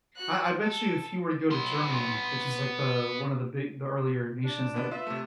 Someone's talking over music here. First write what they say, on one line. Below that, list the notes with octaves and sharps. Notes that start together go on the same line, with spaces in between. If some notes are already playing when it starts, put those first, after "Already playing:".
I I bet you if you were to go to Germany, which is, like, the one of the big the earlier nations that
F#4 F#6
A4
B3 C6
D4
D3 B3
F4 B4 E5
C3 A3